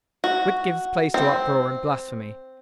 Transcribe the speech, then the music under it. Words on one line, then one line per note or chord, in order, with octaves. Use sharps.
Wit gives place to uproar and blasphemy.
F#4
C4